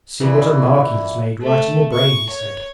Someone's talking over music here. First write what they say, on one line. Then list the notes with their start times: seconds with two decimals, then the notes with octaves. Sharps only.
'See what a mark he has made right in the brain,' he said.
0.20 A#2 E3
1.42 A3
1.93 C#6
2.30 C#5